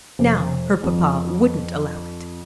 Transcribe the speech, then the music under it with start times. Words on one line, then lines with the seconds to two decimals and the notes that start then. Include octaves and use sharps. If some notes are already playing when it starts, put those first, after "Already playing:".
Now her papa wouldn't allow it.
0.19 F1
0.83 F2